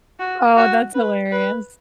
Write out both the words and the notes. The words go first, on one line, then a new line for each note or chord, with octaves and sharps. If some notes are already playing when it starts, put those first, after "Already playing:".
Oh, that's hilarious.
F#4
F#4
B4
B4